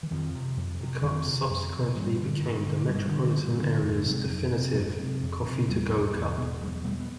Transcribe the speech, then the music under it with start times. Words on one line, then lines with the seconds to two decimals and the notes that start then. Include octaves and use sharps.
The cup subsequently became the metropolitan area's definitive coffee-to-go cup.
0.03 E3
0.11 F2 D#3 F3
0.35 C3
0.57 F2
0.81 C3
1.04 F2 D#3 F3
1.27 C3
1.50 F2
1.73 C3
1.97 G2 E3 F#3
2.20 D3
2.44 G2
2.67 D3
2.89 G2 G3
2.97 G#3
3.05 F3 G3
3.13 D3
3.36 G2
3.60 D3
3.83 F2 G#3
3.97 A3
4.06 C3 F#3 G#3
4.29 F2
4.53 C3
4.75 F2 F#3 G#3
4.99 C3
5.23 F2
5.45 C3
5.68 E2 G3 A3
5.92 B2
6.14 E2
6.38 B2
6.61 E2 F#3 G#3
6.84 B2 G3 A3
7.00 B3